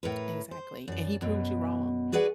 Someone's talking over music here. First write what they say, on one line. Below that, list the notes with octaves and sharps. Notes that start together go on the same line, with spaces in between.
Exactly, and he proved you wrong,
A2 A#4 B4
C5
F#2 D5
F#2 B2
F#4 G#4 B4 D5 F#5 G#5